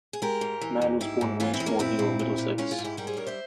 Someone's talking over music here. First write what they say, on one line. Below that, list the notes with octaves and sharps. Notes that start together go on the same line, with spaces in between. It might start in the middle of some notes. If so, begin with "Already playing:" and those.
Mann was born in Winchmore Hill, Middlesex.
G#4
G#3 G4 A#4
G#2
E3
E2
G#2 E4 G4
G#2
E3 C#4 F4
C4 E4
E2
A#3 C#4
A#2 C4 E4
A#2
A#2
A#2
G#3 C#4 F4
F4 G#4
G#2
E4 G4
G3 G4 A#4
G#4 C5
G2 A#4 C#5
C5 E5